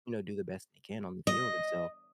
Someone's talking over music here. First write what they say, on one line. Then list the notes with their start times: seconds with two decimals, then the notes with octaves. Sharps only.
you know, do the best they can on the field and so,
1.27 D#5